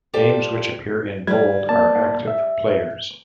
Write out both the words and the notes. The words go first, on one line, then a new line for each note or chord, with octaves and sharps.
Names which appear in bold are active players.
F4 G4 A4 C5 D5 G5
G3 G#6
A#3 D5 A5
E5